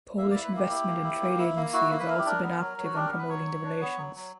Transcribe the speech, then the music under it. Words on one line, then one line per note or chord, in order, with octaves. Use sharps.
Polish Investment and Trade Agency has also been active on promoting the relations.
A#3 E5
D5
E4
B4
A#3 G4
E4
A#3
E4
A#3
E4
A#3
E4 F#4
A#3
B4
E4 A#4
G4
D4 A#4
B3
F#3
F#3
F#4
D4 G4
A#4
B3
B4
F#3 C#5
F#3
D4
B3
F#3
F#3